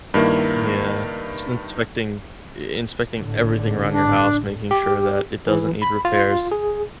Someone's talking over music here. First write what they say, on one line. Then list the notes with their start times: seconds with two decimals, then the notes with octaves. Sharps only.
Yeah, just inspecting i inspecting everything around your house, making sure that it doesn't need repairs,
0.14 G2 D#3 A#3 E4
3.14 G#1 A2 D3
3.92 D4
4.71 G4
5.47 E3
5.82 B5
6.05 F4
6.51 G#4